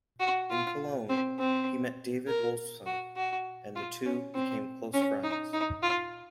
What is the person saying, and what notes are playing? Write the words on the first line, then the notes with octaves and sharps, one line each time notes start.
In Cologne he met David Wolffsohn and the two became close friends.
F#4
F4
C4
C4
A#4
F#4
F#4
F4
C#4
C4
C#4
D#4
D#4
F4